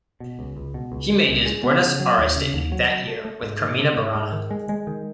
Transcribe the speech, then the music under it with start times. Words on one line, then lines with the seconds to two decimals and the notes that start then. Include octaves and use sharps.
He made his Buenos Aires debut that year with Carmina Burana.
0.20 B2
0.39 C#2
0.56 C#2
0.74 B2
0.92 C#2
1.10 G#3
1.29 C#2
1.46 G#3
1.64 B3
1.82 C#3
2.00 F#3
2.18 D#2
2.36 C#3
2.54 D#2
2.72 F#3
2.89 F#3
3.07 A3
3.25 A3
3.43 G#2
3.61 D#3
3.79 A3
3.97 G#2
4.15 G#2
4.32 D#3
4.51 G#3
4.69 G#3
4.87 D#3